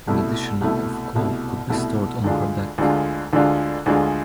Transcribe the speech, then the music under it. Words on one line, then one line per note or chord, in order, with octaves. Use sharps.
An additional of coal could be stored on her deck.
C2 B2 A3 E4
C2 B2 A3 E4
C2 B2 A3 E4
C2 B2 A3 E4
D2 D3 G#3 D4 F4
D2 D3 G#3 D4 F4
D2 D3 G#3 D4 F4
D2 D3 G#3 D4 F4